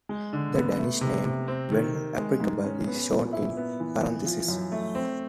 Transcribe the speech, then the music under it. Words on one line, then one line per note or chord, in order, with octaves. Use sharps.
The Danish name, when applicable, is shown in parentheses.
G#3
D3
B3
A3
C3
C3
C4
D#3
D#3
G#3
G#2
C#4
B3
A#2
E4
B3
E3
E3
F3
F#2
A3
C4